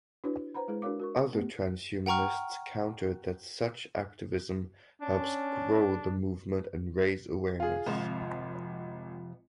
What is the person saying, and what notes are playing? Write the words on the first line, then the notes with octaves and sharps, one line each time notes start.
Other transhumanists countered that such activism helps grow the movement and raise awareness.
D4 E4 F#4 B4 C#5
B4 C5 F#5 A#5 B5
G#3 E4 G#4 B4
D4 F#4 A#4 C#5 F5 D6
F#4 A#4 C#6
A3 B3 G4
F#5 G5 A#5 C#6 F6
C#4 D4
F4 G#4
G#1 F2 C3 F3